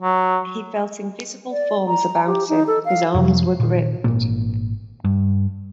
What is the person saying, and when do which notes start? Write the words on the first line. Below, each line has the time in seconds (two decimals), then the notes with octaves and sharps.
He felt invisible forms about him; his arms were gripped.
0.02 F#3
1.51 D5
1.87 A#5
2.27 G4
2.49 D#4
2.67 A4
2.85 F5
3.15 F2 C3 D#3 F3
3.60 A#2 D#3
4.04 G#1 A#2 A#3
5.04 G2